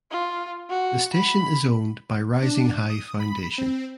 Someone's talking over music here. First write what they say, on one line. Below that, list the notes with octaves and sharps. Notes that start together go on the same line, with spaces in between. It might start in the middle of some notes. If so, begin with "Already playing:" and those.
The station is owned by Rising High Foundation.
F4
F#4
B5
D4
D#6
B5
C4